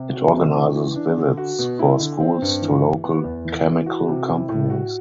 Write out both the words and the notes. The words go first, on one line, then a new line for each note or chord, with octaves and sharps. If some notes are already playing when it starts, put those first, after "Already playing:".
It organises visits for schools to local chemical companies.
Already playing: C3
F#4
C3
E3
E3
D4
D3
F#4
B2
E4
D3
C4
G2
E3
E3
B3
E2
E3
E3
F#4
C3
E4
A2
F#4